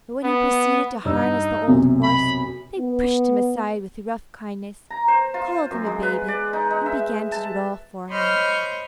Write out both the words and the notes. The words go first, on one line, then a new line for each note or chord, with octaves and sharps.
But when he proceeded to harness the old horse, they pushed him aside with rough kindness, called him a baby, and began to do it all for him.
B3
G2 D#4 E6
B1 F#2 C3
B5
B3
A#5
C5
F4
F#2
G#3
B4
D5
D#4
D#4
E5
A5
C5 C#5 D#5 B5 F6 G6